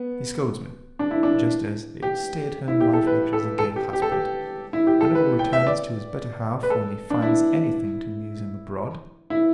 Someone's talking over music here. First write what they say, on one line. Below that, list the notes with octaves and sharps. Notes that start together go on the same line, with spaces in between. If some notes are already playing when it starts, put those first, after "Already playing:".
He scolds me, just as a stay-at-home wife lectures a gay husband, who never returns to his better half when he finds any thing to amuse him abroad.
Already playing: B3
D4
E4
D4
G4
E4
G4
A4
B4
A4
A4
G4
G4
A4
G4
E4
G4
A4
B4
G5
E5
D5
B4
A4
D4
E4
E4